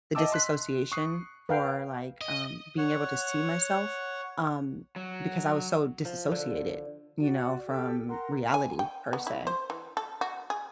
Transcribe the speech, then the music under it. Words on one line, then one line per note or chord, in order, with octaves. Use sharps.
the disassociation for, like, um, being able to see myself, um, because I was so disassociated, you know, from reality per se.
D#5 E5 G5 A5 D6 E6
C6 F#6 B6
C#6 D#6 F#6 C7
B4 F5 G5
D#5
C#5 F#5
F#3
F3
D3
F#4 D5
G4 A4 E6
A#4 F#5 A#5 C6
G#5
G5
B3
E4
C5
E3
A4
F#4
G#4